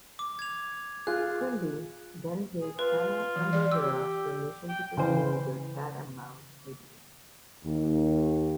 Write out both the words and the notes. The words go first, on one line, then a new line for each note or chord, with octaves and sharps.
Quimby then gave Hanna and Barbera permission to pursue their cat-and-mouse idea.
D6
G#6 F7
F4 G#4 F#6
G#4
F4 B4
E3
D5
G4 E6
G5
C#3 E3 C5
D#2